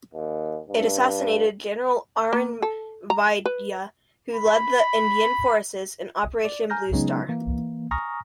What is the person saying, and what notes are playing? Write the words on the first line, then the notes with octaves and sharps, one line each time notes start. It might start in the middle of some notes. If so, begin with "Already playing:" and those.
It assassinated General Arun Vaidya, who led the Indian forces in Operation Blue Star.
D#2
G2
A#3
A4
A#5
B4
B5
D5
G#5 A#5 F6 G6 A#6
C#3 F#3 G#3 B3 C#4 D#4
E3 A#3
G#5 A#5 C#6 D#6 F6 A#6